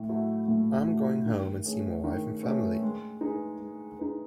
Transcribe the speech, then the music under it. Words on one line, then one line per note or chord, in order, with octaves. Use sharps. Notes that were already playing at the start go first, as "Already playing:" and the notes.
I'm going home and see my wife and family.
Already playing: A2
F#3 A3 E4
A2
F#3 A3 E4
D#3
A3 C#4 G#4 B4
D#3
A3 C#4 G#4 B4
G#3
D#4 G#4 B4
G#3
D#4 G#4 B4